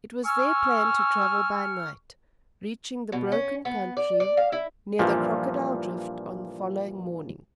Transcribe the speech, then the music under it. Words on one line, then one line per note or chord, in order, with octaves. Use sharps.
It was their plan to travel by night, reaching the broken country near the Crocodile Drift on the following morning.
G#5 C#6 E6 F6
B2
C#4
B3
D5
D5
F5
E4
G2 A#2 E3 F3